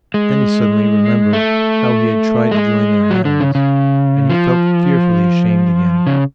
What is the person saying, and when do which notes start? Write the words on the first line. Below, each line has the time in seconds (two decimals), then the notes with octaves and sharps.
Then he suddenly remembered how he had tried to join their hands, and he felt fearfully ashamed again.
0.14 G#3
1.33 A3
2.52 G#3
3.10 F#3
3.25 D3
3.41 C#3
3.55 C#3
4.30 F3
6.07 C#3